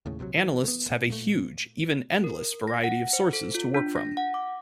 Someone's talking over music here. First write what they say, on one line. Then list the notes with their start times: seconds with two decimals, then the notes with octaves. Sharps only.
Analysts have a huge, even endless, variety of sources to work from.
0.06 D#2 A2 C#3
0.19 A#1 C3 E3 F#3
0.37 E3
0.64 A3 B3
0.90 A#2
1.10 A#2 A3
2.24 A#4
2.67 A#6
2.84 F#5
3.13 C5
3.33 A4
3.55 F4
3.74 D4
3.96 A#6
4.17 F#5
4.34 D6